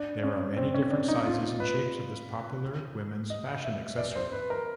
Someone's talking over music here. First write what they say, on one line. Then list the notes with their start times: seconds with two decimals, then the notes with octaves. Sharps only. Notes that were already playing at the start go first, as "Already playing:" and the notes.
There are many different sizes and shapes of this popular woman's fashion accessory.
Already playing: D4
0.23 C#4
0.57 C4
0.74 C#4
0.91 D4
1.08 D#4
1.26 F4
1.60 B4
3.30 D#5
3.64 E5
3.98 D5
4.16 C5
4.32 B4
4.50 A#4